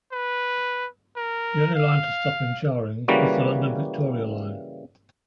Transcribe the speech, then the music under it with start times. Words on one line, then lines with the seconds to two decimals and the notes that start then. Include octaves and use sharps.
The only line to stop in Charing is the London Victoria line.
0.12 B4
1.17 A#4
1.75 F5
3.08 C#3 E3 G3 A#3 F#4 B4